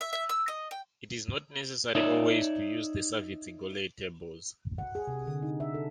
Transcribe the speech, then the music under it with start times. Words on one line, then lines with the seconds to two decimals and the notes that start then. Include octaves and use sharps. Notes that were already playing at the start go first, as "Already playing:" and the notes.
It is not necessary always to use the Savitzky-Golay tables.
0.01 E5
0.13 E5
0.29 E6
0.48 D#5
0.71 G5
1.95 D#4 C#5 D5 E5
4.78 F#5
4.95 G#4
5.07 C3
5.27 D3
5.42 D#4
5.60 E5
5.74 A4